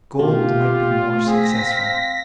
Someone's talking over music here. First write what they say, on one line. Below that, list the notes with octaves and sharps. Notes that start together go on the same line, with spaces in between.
Gold might be more successful.
B2 A3 F4 G4
C4 G#4 A#6 B6
F5